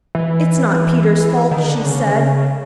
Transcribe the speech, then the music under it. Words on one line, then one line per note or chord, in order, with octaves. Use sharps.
"It's not Peter's fault," she said.
E3
D#3
D3
C#3